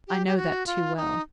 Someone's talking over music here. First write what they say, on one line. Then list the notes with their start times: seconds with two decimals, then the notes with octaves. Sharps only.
I know that too well.
0.08 G4
0.27 G4
0.37 F#4
0.67 F4
0.97 D#4